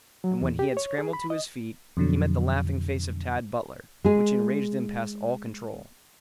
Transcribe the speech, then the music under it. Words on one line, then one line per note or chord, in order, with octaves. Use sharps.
And when he had scrambled to his feet, he met the laughing face of Tad Butler, which enraged him past all control.
F#3
E2
G4
C#5
G#4
B5
D#5
F2 B2 D3 F#3
G#3 G#4